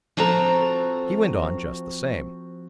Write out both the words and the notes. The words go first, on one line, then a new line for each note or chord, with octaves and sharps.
He went on just the same.
F3 C4 F#4 A4 A#5